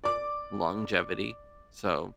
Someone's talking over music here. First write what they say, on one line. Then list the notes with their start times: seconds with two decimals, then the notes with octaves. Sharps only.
longevity. So,
0.04 D5 D6